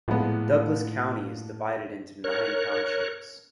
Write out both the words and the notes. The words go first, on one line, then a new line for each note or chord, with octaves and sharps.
Douglas County is divided into nine townships.
A#1 A2 G#3 B3
A#4 C#5 F#6